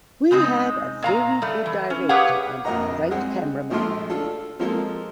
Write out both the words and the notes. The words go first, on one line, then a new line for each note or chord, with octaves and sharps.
We had a very good director and a great cameraman.
C#3 G#3 C4 D#4
A#2 F5 A#5
G3 A3
E3
C#4
G4 G#4 B4 C#5 F5 F#5
A#1 F2 A#4 D#5 F#5 A#5
G3 G#3 C4 G4 G#4 F#5
A#1 F3 G#3 A3 F4 C6
D4 F4 A4
F3 G#3 A#3 C4 F4 A4